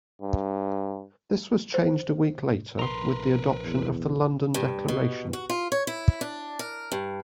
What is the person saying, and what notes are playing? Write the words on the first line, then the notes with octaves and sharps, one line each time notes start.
This was changed a week later with the adoption of the London Declaration.
G2
C5
A#1 A#4 B4 A#5 C6
E2
G2
B2
F#4
F4
C#5
E4
D4
A#4
G2